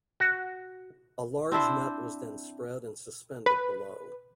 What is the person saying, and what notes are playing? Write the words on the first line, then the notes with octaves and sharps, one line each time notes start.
A large net was then spread and suspended below.
F#4
C4 D4 E4 C5
B4